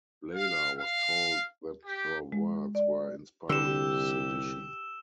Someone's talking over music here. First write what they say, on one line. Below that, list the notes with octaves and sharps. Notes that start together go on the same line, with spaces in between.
Leyla was told that her words were inspiring sedition.
F5
F5
G4
G#3
D5
C2 D3 G4 E6 E7